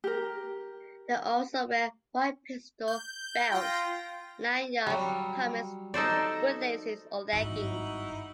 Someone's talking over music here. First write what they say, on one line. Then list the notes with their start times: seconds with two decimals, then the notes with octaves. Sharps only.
They also wear white pistol belts, lanyards, helmets, boot laces or leggings.
0.04 G4 A#4
2.88 G6
3.52 F4 G5 A#6
4.87 F#3 G3
5.94 D#4 A4 C5 D5
7.33 G#1 G2 D#4 E4 F#4